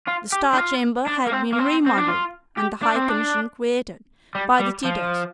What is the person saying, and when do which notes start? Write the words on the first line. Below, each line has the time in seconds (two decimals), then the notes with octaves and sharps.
The Star Chamber had been remodelled, and the High Commission created, by the Tudors.
0.08 F4
0.32 G4
0.53 D4
0.57 F4
1.08 D4
1.27 A#3
1.33 C4
1.52 A#3
1.59 C4
1.86 C4
1.98 D4
2.08 F4
2.58 G4
2.83 D4
2.96 C4
3.09 D4
4.35 G3
4.59 G3
4.85 F3